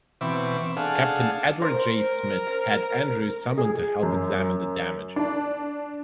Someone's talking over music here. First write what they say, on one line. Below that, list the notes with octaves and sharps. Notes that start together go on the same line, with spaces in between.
Captain Edward J. Smith had Andrews summoned to help examine the damage.
B2 E3 C4 E5 C#6 D6
D4 G#4 A4 F5 F#5
A#4 C5
G#4
F#2
D4